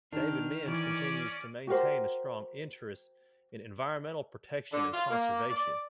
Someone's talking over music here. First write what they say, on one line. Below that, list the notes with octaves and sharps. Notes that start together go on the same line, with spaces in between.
David Minge continues to maintain a strong interest in environmental protection and conservation.
D#3 D4 F6
E3 C#4 D5
F#4 G4 A#4 C5
D3
F4
A#3
D5